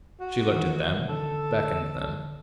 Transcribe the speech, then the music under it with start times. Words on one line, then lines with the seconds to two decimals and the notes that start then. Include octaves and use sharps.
She looked at them, beckoned them.
0.20 F#4
0.52 D#3 E3
1.09 D3 A4